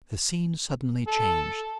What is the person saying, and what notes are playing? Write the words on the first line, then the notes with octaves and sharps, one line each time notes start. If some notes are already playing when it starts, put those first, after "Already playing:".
The scene suddenly changed.
A4